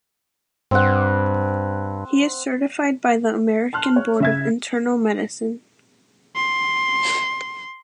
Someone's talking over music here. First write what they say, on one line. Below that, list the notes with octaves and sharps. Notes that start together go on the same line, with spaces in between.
He is certified by the American Board of Internal Medicine.
G2 C4 F#5
A5 C6 F6 F#6
C#5
C#3 E5 G#6
C6